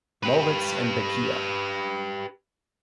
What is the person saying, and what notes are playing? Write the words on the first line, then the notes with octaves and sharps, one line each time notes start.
Moritz and Bequia.
G4 B4